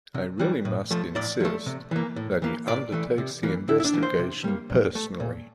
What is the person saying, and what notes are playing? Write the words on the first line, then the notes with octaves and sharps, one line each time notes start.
I really must insist that he undertakes the investigation personally.
C3
E3 G3
A2
F3 A3
A2 D5
F3 A3
C3
E3 A#3
A2
E3 A#3
A2 D5
E3 A3
C3
E3 A#3
A2 E4
E4
D4
E3 A#3
C5
C3
G3 A#3
A#2
A3
A#2